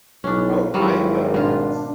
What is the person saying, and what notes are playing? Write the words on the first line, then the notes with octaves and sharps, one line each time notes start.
Oh, pythons.
B1 C#4 D4 E4
G#1 F#3 G3 E4 F4
B2 D4 F4